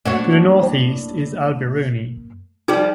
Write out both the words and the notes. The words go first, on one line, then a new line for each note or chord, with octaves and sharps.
To the northeast is Al-Biruni.
F#2 A2 A#3 D4 F#4 C#5
F3 G3 D#4 G#4